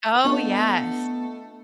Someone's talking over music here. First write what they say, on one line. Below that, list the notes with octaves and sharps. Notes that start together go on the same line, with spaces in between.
Oh, yes.
A3 B3 D4 F4 D#5